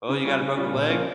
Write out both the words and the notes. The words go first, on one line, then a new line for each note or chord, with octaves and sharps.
"Oh, you got a broken leg?"
C#3
G3 C#4 F4
C#3
G3 C#4 F4
A#2
F3 A#3 C#4 F4